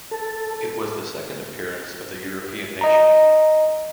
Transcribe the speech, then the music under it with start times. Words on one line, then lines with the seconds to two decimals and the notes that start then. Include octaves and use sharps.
It was the second appearance of the European nation.
0.11 A4
2.81 D#5 A#5